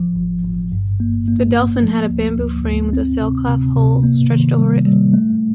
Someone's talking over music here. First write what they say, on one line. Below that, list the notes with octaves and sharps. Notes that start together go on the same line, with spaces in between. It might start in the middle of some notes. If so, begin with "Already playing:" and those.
The Delphin had a bamboo frame with a sailcloth hull stretched over it.
Already playing: G1 F3
G1
G1
G2
A#3
A#3
A#3
F3
D2
D2
D2
C4
C3
C3
C3
A#3
D#3
G3
G3
A3